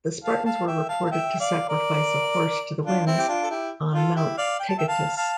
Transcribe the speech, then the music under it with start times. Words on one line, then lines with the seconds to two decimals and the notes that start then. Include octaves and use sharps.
The Spartans were reported to sacrifice a horse to the winds on Mount Taygetus.
0.24 F5 A5
0.46 F5 A5
0.67 E5 G5
0.89 F5 A5
1.06 F5
1.11 E5 G5
1.40 D5 F5
1.69 A#4 D5
2.85 D4 F4
3.07 C4 E4
3.18 G4
3.28 D4 F4
3.43 A4
3.51 E4 G4
3.94 F4 A4
4.16 E4 G4
4.37 D5 F5
4.60 G5
4.69 A5
4.78 E5 G5
4.88 F5 A5
5.17 F5 A5